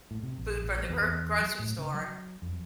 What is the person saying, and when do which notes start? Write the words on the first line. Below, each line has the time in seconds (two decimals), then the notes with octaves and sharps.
food from the gr grocery store
0.11 A2
0.23 C3
0.38 A#1
0.64 A#1
0.89 E2
1.01 E2
1.40 F#3
1.59 A2
1.78 C#3
1.94 F#3
2.42 F2